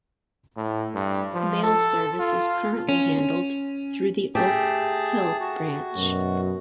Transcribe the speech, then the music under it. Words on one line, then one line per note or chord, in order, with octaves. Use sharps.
Mail service is currently handled through the Oak Hill branch.
A2
G2
F3
A4
F4
C#4
A3 G4 G#4 A5
F#4
F#2 B2